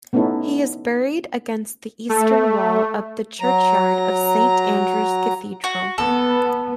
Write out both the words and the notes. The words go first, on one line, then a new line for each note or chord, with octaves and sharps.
He is buried against the eastern wall of the churchyard of Saint Andrew's Cathedral.
A3 B3 C#4 D#4 E4 A4
A3
F#3 A#5
F#4
B3 A4